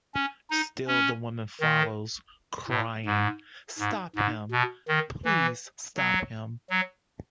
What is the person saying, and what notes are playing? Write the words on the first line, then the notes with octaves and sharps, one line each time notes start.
Still the woman follows, crying, "Stop him, please stop him!"
C#4
D#4
C#4
D#3
A2
G#2
G#2
G#2
B2
D#3
E3
F#3
F#3